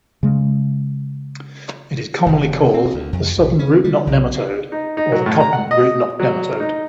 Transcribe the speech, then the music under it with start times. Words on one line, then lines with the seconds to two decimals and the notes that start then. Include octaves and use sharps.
It is commonly called the "southern root-knot nematode'" or the "cotton root-knot nematode".
0.23 C#3 G#3
2.26 F1
2.74 C4
2.94 D2
3.13 F2
3.39 B1
3.59 C#4
3.84 G3
4.07 B1
4.34 C#3
4.72 D#4
4.97 D#4
5.12 F#3
5.26 A2
5.40 A#5
5.53 F#5
5.71 D#5
6.20 F#3
6.60 D#4